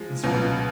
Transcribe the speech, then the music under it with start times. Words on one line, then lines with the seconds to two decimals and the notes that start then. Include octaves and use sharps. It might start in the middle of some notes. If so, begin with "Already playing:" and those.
It's funny.
Already playing: F3 G#3
0.24 C#2 B2 F#3